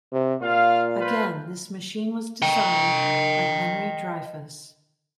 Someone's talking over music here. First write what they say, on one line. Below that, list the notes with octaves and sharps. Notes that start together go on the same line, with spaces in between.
Again, this machine was designed by Henry Dreyfuss.
C3
A#2 F4 F5
F4 B4 C5
D#5 G5